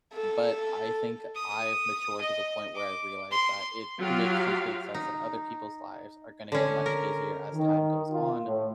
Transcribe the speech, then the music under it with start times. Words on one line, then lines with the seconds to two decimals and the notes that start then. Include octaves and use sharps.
But I think I've matured to the point where I realized that it makes complete sense that other people's lives are gonna get much busier as time goes on
0.14 A4
1.35 D#6
2.21 D#5
2.75 D6
3.31 C6
4.00 F#3 F4 G4 F5
4.94 D#4
6.52 D3 C#4
6.86 A#4
7.52 D#3
8.10 F4
8.44 A2